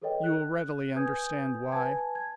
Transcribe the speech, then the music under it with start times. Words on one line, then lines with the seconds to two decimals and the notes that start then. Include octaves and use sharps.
You will readily understand why.
0.02 G#4 A4 B4 C#5 D#5 G5
0.24 F#6
0.96 B4 G#5 D#6 G6 G#6
1.72 B4 G#5 A5 G#6
2.15 G#6